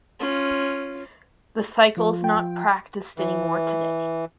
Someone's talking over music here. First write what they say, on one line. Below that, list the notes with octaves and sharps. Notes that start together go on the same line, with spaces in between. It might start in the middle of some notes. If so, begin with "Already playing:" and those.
The cycle is not practiced anymore today.
C#4 F4
F3 F4
G5
E3